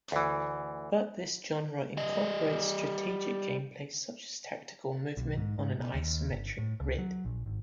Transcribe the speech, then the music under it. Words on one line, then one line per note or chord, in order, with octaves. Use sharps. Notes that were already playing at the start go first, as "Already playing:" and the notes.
But this genre incorporates strategic gameplay such as tactical movement on an isometric grid.
D2 E3
G3 D#5
B1
G#2
G#2
B2
D#2
G1
A2
C#2
F#3
A#1
G#1